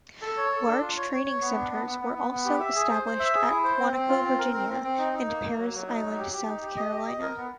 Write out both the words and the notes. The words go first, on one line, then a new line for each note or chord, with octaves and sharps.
Large training centers were also established at Quantico, Virginia, and Parris Island, South Carolina.
A4
C#5
A4
D4
F4
C#5
C#5
C#5
B3
D4
B3
B3
B3
B3
B3
G4
E5
G#4
C5
C5
E5
G#4
E4
C5
C4
C4
F4
C4
A#4
C4
C4
C4
D#4
D#4
A#3
A#3
F#3
F#3
D#4
F#3
G4
G4
D#4
G4
D#5
G4
D#5
A#4
B3